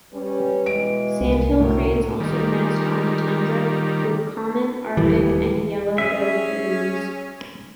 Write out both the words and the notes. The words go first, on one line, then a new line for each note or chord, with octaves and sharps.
Sandhill cranes also nest on the tundra, with common, Arctic and yellow-billed loons.
G3 C#4 B4
B2 E3 G#3 D7
C2 A#3
A2 D3 E4 F#4 A#4
D#3 G3
D1 D#2 E3 G3
C#4 G#4 E5